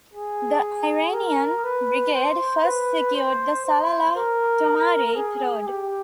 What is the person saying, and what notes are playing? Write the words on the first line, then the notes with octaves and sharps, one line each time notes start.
The Iranian brigade first secured the Salalah-Thumrait road.
G#4
A#4
B4
C5
B4
C5
C5
A#4
G#4
G4